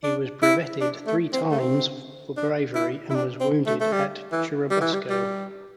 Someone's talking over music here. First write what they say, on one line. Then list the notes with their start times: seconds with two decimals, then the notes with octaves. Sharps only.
He was brevetted three times for bravery and was wounded at Churubusco.
0.03 D4
0.43 E4
0.81 D4
1.07 A3
1.33 C4
1.51 A3
1.59 C4
2.37 D4
2.75 E4
3.10 E4
3.15 D4
3.40 C4
3.66 A3
3.81 A3
3.92 G3
4.32 E3
4.70 G3
4.81 E3
4.93 G3
5.10 G3